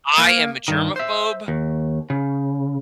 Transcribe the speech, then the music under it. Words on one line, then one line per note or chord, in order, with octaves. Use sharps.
I am a germaphobe
A#3
G2 D#3
C5 E5
D#2
C#3